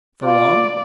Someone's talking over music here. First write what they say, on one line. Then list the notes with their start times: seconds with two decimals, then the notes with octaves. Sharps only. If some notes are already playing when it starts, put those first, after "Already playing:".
"For long?"
0.25 F4 D5